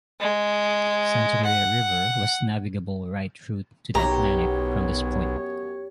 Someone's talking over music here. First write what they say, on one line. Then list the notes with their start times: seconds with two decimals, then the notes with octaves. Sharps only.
Santa Maria River was navigable right through to the Atlantic from this point.
0.21 G#3
1.45 F#5
3.95 B1 F#2 B3 G4 C#5 A#5